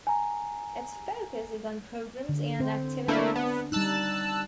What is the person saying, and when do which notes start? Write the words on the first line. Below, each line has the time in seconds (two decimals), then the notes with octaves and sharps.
Its focus is on programs and activities.
0.07 G#5 A#5
2.29 D3
2.60 C4 C5
3.08 A3 A#3 D4 E4
3.35 B3
3.72 G3 D#4 A5 E6 F#6